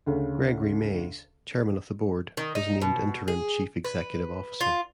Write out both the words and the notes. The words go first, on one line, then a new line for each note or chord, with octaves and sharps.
Gregory Mays, Chairman of the Board, was named interim chief executive officer.
D2 C#3
D#3
D#4
B2
G#4
B4
F4